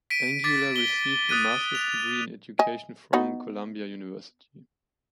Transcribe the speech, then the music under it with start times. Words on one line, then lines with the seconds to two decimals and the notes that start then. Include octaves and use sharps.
Angula received a master's degree in education from Columbia University.
0.10 B6 D7 D#7
0.44 D6 A6 B6
0.76 D7 G7
1.29 D#6 F#6 A6 D#7
1.75 F7
2.59 D#5 G#5
3.13 B3 D#4 F#4